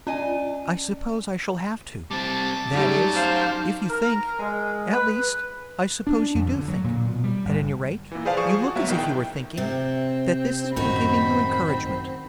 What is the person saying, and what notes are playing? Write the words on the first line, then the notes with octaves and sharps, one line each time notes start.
'I suppose I shall have to--that is, if you think--at least, I suppose you do think--at any rate, you look as if you were thinking--that this has been giving you encouragement.'
C#4 D4 D#5 G#5
G3 C4 A5 D6
F#2 F#3 G3 A3 D#4
C5 F5
A#4
G#3
B4
D4
F2
D3
F#3
A#2
B2
G3
G1
A#2 E3
G#4 B4 C5 D5 F5 A5
F3 G#4 C#6 E7
F#4
D#2 F#3 B3 E5
A#1 D#3 E4 G5
C3 C4
A1 F#2 D#3 D#4 F#4 B5